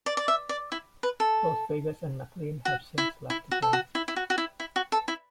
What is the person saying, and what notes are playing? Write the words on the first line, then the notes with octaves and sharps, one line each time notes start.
Both Vegas and MacLean have since left the band.
D5
D5
E5
D5
E4
B4
A4
F#4
E4
E4
F#4
A4
F#4
E4
E4
F#4
F#4
E4
E4
F#4
A4
E4